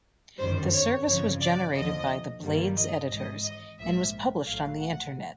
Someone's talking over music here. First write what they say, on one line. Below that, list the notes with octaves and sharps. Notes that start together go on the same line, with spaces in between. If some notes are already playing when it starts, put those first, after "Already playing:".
The service was generated by the "Blade"s editors and was published on the internet.
G1 F#2 D#3 G3 C5
C#5
G1 F2 C#3 F3 C#5
D5
D#2 D3 F3 D#5
G2 D#3 G3 A#3
D#5
G#1 G#2 E3 D#5
D#5
A#1 G#2 F3 A#3 E5
A#1 A2 F#3 A3 F5
F#5